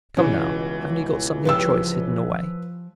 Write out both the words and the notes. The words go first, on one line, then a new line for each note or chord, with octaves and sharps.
Come, now, haven't you got something choice hidden away?'
C#2 B2 E3 C#4
F3 F4 G4 B4 E6